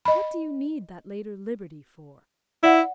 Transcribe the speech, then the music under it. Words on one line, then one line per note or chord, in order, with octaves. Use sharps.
What do you need that later liberty for?
D#5 B5
E4 D5 F#5